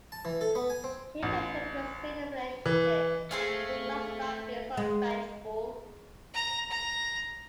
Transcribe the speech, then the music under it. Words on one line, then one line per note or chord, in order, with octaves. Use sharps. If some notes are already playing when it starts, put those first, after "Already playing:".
She begs him, to seal their relationship, that he must stop being so vengeful.
A5
E3
A4
B3
G#5
C4
A1
E3
A3 C4 G#4 F5
G#3
A#5
A#5